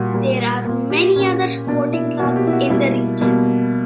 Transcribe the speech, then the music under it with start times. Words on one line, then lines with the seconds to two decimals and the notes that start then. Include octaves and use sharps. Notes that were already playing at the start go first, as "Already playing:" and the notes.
There are many other sporting clubs in the region.
Already playing: A#2 G3 A#3 F#4
0.14 A#2 G3 A#3
0.65 A#2 A#3
0.90 G4
1.16 A#2 A#3 C#4
1.67 B2 A#3 D4
1.93 E4
2.19 A#3 F#4
2.23 B2
2.36 G4
2.47 E4
2.53 F#4
2.70 B2 G3 A#3 E4
3.21 B2 G3 A#3